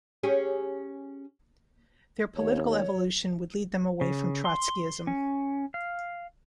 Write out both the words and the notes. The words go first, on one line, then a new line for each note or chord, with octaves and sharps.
Their political evolution would lead them away from Trotskyism.
C#4 G4 G#4
D#2 C#5
C#5
C#3
C6
C#4
F5